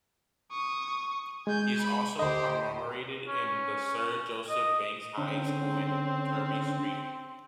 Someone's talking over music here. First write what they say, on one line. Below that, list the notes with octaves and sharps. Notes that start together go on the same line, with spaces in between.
He is also commemorated in the Sir Joseph Banks High School in Turvey Street.
C#6 D#6
G#3 G#5 G6
B5
D2 G4 C5 D#5
C#4
D#5
D3 C4 C#4